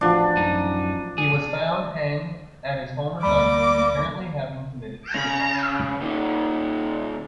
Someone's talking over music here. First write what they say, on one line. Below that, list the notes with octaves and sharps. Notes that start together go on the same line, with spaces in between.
He was found hanged at his home in London, apparently having committed suicide.
A1 F3 D4 F#4
F#2 D#4
G#4
D2 G3 A#3 B5 D6
C#3
A#2 D#3